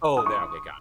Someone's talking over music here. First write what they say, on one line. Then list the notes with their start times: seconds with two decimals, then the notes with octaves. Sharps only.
Oh, there okay, got it.
0.17 D#6
0.26 C#6